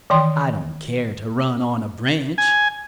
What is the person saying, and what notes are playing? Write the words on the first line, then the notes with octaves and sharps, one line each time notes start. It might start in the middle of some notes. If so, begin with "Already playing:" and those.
I don't care to run on a branch.
D#3 E3 G5 C6
G#5